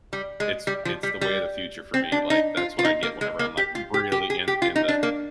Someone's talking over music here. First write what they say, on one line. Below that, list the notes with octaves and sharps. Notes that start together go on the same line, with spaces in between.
it's it's the way of the future for me, like, that's what I get whenever I'm like, really in, in the,
G3
G#3
G3
F3
G3
G3
C4
D4
D#4
F4
F4
D#4
A#3
G#3
A#3
G4
F4
G4
G4
G#4
G4
F4
D#4
D4
A#3